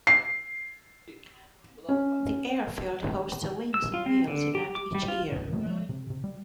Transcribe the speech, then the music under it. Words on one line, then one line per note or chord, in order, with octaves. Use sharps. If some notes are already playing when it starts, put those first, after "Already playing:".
The airfield hosts a Wings and Wheels event each year.
C7
C#4
E6
F4
C4
D3
G4
D6
G3
F4
C2 G2 C#3
C3 F#3 A3 A#3
F3 G#3
C3
C3
G3